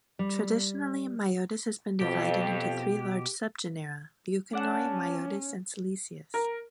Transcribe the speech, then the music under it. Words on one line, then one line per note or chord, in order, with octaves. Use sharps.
Traditionally, "Myotis" has been divided into three large subgenera-"Leuconoe", "Myotis", and "Selysius".
G3
F2 B2 G4
C#4 D4 F#5 A5
A#4